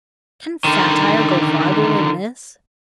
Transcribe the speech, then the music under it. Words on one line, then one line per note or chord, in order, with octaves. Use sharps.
Can satire go farther than this?
D3 D#3